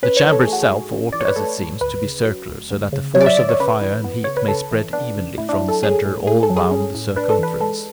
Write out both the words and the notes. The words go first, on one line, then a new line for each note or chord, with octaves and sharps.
The chamber itself ought, as it seems, to be circular, so that the force of the fire and heat may spread evenly from the centre all round the circumference.
C#4 B4
C#5
E3
A4
A3 G#4
F#4
G#4
G#2
C#4
E3 D5
C#5
B4
A3 A4
G#2
D2 B4
C#3
F#3
D2
D2
C#3
F#3 C#5
D5
E5
D2 D5
C#5
C#3 B4
E3
B3
C#3 C#5
B4
C#3 A4
E3
B3 D4
C#3
A2 E4
D4
E4
F#3
A4
C#4 G#4
A2
A2 G#4
A4
F#3
G#4
C#4
A2
D4 B4
A4
E3 B4
G#3 A4